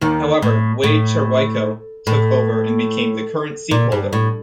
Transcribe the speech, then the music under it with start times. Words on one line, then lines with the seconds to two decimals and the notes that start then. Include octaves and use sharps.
However Wade Cherwayko took over and became the current seat holder.
0.01 D#2 D#3
0.42 A2
0.83 A2
2.07 A2
3.71 A#2
3.92 G2
4.13 A2